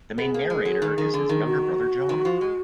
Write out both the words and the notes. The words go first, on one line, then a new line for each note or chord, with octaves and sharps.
The main narrator is his younger brother John.
B3 G#4 A#4
A#3
G#3
F#3
D#3
D#3
D3
D#3
F#4
D#3
F3
G#3